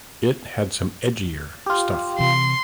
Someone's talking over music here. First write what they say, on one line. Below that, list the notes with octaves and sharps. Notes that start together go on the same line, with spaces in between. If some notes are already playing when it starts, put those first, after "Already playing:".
It had some edgier stuff.
F4 G4
C3 E3 C6